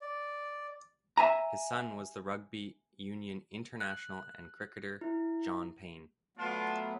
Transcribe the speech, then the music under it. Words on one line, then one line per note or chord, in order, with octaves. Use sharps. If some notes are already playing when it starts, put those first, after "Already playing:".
His son was the rugby union international and cricketer John Payne.
D5
E5 G#5 A#5
F#6
E4
F#3 A3 B3 D4 F4